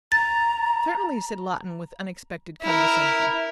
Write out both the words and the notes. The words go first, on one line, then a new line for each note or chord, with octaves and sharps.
"Certainly," said Lawton, with unexpected condescension.
A#5 A6
E4 A#4